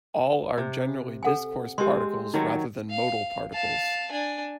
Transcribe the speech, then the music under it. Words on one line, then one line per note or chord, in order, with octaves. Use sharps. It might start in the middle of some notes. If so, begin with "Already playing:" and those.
All are generally discourse particles rather than modal particles.
C3
A4 F#5 G#5
G#3 C4 G4 C6
D#3 F#3 D#4 C#5
F5
F5 A5
D4 G#5